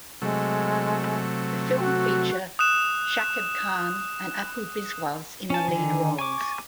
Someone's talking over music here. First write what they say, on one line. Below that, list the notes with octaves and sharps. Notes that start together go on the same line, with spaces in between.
The film feature Shakib Khan and Apu Biswas in the lead roles.
C3 F#3 G#3 A3
F#4
D#6 F#6 E7
C#4 G#5 A5
D3 D#3
G#5 C#6 D6